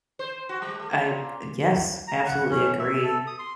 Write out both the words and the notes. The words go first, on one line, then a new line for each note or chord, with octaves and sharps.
I, uh, yes. Absolutely, I agree,
C5
F#4
G3
A3
A#2
A#5
F#5
C#4
E5
A4
D#6
C6